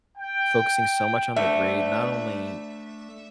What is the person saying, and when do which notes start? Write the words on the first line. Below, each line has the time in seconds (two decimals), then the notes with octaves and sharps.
focusing so much on the grade not only
0.17 G5
1.36 A3 D4 E5